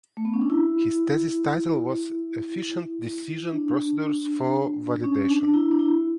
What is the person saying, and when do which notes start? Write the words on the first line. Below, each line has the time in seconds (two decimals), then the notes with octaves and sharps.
His thesis title was ‘Efficient decision procedures for validation’.
0.17 A3
0.25 B3
0.34 C#4
0.41 D4
0.50 E4
3.52 D4
5.04 C#4
5.29 D4
5.44 D4
5.54 E4
5.71 D4
5.79 E4